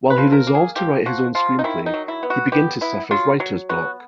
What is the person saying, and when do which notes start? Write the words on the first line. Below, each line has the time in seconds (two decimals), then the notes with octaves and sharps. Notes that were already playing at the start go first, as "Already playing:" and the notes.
While he resolves to write his own screenplay, he begins to suffer writer's block.
0.10 B4
0.18 F3
0.32 A#4
0.47 A#3
0.55 G#4
0.76 F3 G4
1.06 F3 F#4
1.35 F3 F4
1.59 D#4
1.64 D#3 E4
1.86 D#4
1.94 F#3
2.08 E4
2.23 B3
2.30 F#4
2.52 B3 G4
2.81 B3 E4
3.11 F#3 F4
3.40 F#3
3.69 B3 F#4